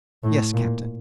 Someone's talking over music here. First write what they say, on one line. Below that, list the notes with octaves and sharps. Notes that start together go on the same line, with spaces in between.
"Yes, captain."
A2
A#2